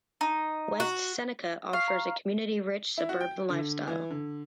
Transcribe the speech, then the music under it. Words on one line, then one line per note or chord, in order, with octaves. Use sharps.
West Seneca offers a community-rich suburban lifestyle.
D#4
F#4
F5 C#6
A#5
E4
F#4
G5
D3
E3
D3